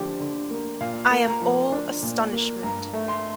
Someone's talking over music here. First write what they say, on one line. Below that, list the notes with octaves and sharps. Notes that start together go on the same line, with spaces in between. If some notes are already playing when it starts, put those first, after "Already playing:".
I am all astonishment.
Already playing: D3 F3 G4
D3
A#3
A#2 F5
A#3
A#5
F3
D4
A#2
A#3
G2 A#5
A3
C6